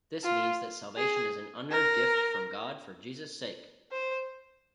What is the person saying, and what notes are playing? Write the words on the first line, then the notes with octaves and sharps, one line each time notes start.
This means that salvation is an unearned gift from God for Jesus' sake.
F4
G#4
A#4
C5